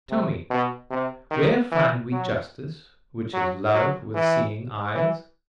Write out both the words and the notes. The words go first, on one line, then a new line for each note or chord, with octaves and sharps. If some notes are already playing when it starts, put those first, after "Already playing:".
Tell me: where find we justice, which is love with seeing eyes?
C3
B2
C3
D#3
E3
F#3
F#3
F#3
E3
E3